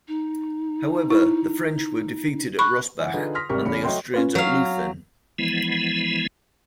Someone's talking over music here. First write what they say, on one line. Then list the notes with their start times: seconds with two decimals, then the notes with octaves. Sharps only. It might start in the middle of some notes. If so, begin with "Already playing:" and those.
However, the French were defeated at Rossbach and the Austrians at Leuthen.
0.08 D#4
1.10 E4
2.59 B5 C#6 F#6
2.99 E3 F#5
3.14 D3 D#4 F4 G#4 B4
3.35 C6 D#6 F6 A#6 B6
3.49 G#1 C3 G3 A#4 C#6 B6
3.65 E2 C#3 B5 C#7
3.84 F#3 A3 F#4 D#5 G5 C6
4.14 C#4 F4 B4
4.35 F#3 F5
5.39 E3 F3 G#3 B3 E4